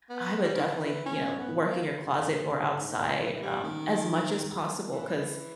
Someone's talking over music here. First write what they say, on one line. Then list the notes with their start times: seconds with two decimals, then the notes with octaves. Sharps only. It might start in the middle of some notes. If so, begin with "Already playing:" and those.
I would definitely, you know, work in your closet or outside, um, as much as possible, 'cause
0.10 B3
0.42 G3
0.56 D#3
0.64 E3
0.85 E3
1.06 C#4
1.39 B3
1.70 A#3
1.86 E3
2.02 G2
2.19 E2
2.28 G#2
2.35 G2
2.56 G2
2.78 G#2
2.99 A#2
3.21 E3
3.34 E3
3.42 G3
3.63 D#3
4.92 E3